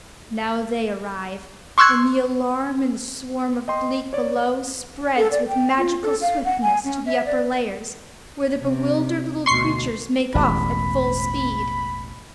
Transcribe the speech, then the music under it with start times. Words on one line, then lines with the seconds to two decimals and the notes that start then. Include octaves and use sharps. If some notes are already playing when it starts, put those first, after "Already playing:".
Now they arrive, and the alarm in the swarm of bleak below spreads with magical swiftness to the upper layers, where the bewildered little creatures make off at full speed.
1.78 C6 C#6 E6 F#6 G#6
3.68 D#5 G5 C6
4.13 C#5 D5
5.17 A4
5.31 D5
5.48 G5
5.77 F4
6.03 A4
6.22 F5
6.45 F#5
6.62 G#5
6.84 C#4
7.06 E5
7.26 D5
8.59 C3
9.46 D2 B2 C6 C#6 C7
10.35 E1 A1 E2 B5